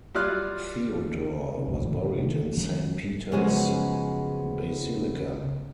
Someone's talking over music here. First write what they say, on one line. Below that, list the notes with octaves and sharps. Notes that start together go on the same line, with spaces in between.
Theodore was buried in Saint Peter's Basilica.
F#3 G3 F4 D5 F6 F#6
B1 F#2
A2 D3 E3
C3 D#3 A3 D4
D2
D#3 F3 G#3 C#4
F#2 C#3 F3 G#3 B3 G#4